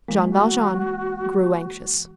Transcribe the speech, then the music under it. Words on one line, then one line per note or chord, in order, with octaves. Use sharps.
Jean Valjean grew anxious.
E3 G#3 A#3
F#4